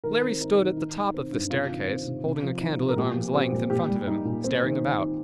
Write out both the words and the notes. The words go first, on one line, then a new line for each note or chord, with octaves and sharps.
Larry stood at the top of the staircase, holding a candle at arm’s length in front of him, staring about.
D#3 A#4
C4
D#4
D#3
D#4
D#3
C4
G2
C3 F4
D#3
C4
C3
C3
F3
D#4
C3
A#4
A#2 G4
F3
C4 G4
A#2
A#2 G4
G3
D#4
A#2
C4
D#3